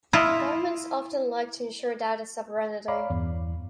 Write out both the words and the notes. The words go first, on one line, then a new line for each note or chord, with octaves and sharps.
Governments often like to ensure data sovereignty.
E4 F4 D#5
C#5 D5 F5 A#5 B5 D6
E2 G2